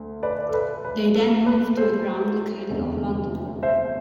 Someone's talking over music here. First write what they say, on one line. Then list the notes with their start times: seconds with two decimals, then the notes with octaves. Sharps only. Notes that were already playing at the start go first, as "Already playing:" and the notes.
They then moved to a ground located off London Road.
Already playing: D2
0.23 B4 D5
0.49 A4
0.54 B4
0.85 B4
1.15 A4
1.46 B4
1.77 A4 C5
2.70 F1 E2 D3
3.63 C5 E5